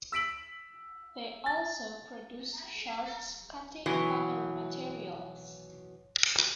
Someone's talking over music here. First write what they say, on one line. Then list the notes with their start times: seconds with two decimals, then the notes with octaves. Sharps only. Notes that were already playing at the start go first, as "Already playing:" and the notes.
They also produce shards cutting other materials.
0.12 E6 B6 D7 F#7
1.46 A6
3.86 B2 E3 F#3